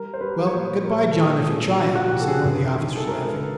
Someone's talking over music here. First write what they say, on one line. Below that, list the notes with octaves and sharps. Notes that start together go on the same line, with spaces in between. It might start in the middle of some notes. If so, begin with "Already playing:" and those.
"Well, good-bye, John, if you try it," said one of the officers, laughing.
Already playing: G3 A#4
C5
G3 B4
C#5
A#2 C5
A#2 A#4
G#3 A4
A#2 G#4
F3 F#4
F#4
C2 G4
A4
G#4
G2
D#3
A4
G#3 A#4
B4